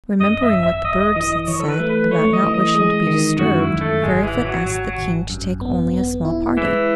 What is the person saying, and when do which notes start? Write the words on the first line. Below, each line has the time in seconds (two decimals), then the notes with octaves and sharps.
Remembering what the birds had said about not wishing to be disturbed, Fairyfoot asked the King to take only a small party.
0.20 F#2 D#5
0.42 E5
0.52 G#1
0.63 E5
0.84 G#1 D#5
1.00 D#5
1.16 E3 D#5
1.32 D#5
1.48 E3 C#5
1.60 A4
1.69 B4
1.80 A3
1.90 B4
2.11 A3 C#5
2.33 D#5
2.43 E3
2.54 D#5
2.75 G#3 D#5
3.07 D#3
3.39 F#2 F#4
3.60 E4
3.70 F#2
3.81 A3
4.02 G#1 G#3
4.24 E3
4.34 G#1
4.45 F#3
4.65 G#1 F#3
4.87 F#3
4.97 G#1
5.30 F#2
5.61 B3
5.94 B3
6.25 E4
6.57 E3 G#3